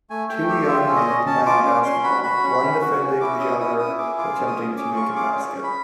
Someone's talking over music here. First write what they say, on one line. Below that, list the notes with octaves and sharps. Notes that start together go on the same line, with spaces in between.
Two young men playing basketball, one defending the other attempting to make a basket.
A3 G#5
A3 G5
G4 E5
F4 E5
C#4
D#5
C#4
C#4 A5
F4 D6
C#4 D6
C#4 C6
F#4 B5
F#4 B5
C#4
C#4
F#4
C#4
E4 D6
C#4 D#6
E4 D#6
E4 D#6
G#4 D6
F4 D6
C#4
D#6
G#4
C#4 D6
F4 C#6
G#4 D6
C#4
C#4
B5